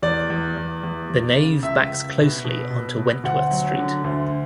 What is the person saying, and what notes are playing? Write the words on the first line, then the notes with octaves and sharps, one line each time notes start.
The nave backs closely onto Wentworth Street.
E2 D5
E2
E2
E2
E2
C#3
C#2 E5
C#2
B2
B2
B2
B2
D2 F#5
F#3
D3
D2